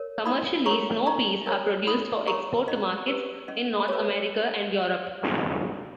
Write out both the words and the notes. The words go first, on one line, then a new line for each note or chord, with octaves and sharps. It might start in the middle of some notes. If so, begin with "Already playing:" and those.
Commercially, snow peas are produced for export to markets in North America and Europe.
Already playing: A#4 C#5
D#4 B5 D#6
A#4 C#5 A#5 C#6
D#4 A#5 C#6
A#4 C#5
D#4 B5 D#6
A#4 C#5 A#5 C#6
C#4 D#5
G4 B4
C#4 D#5
G4 B4 C#5